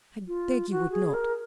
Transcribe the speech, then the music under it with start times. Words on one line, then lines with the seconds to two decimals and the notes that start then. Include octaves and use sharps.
I beg you would not.
0.28 F4
0.71 F#4
0.92 G#4
1.13 A#4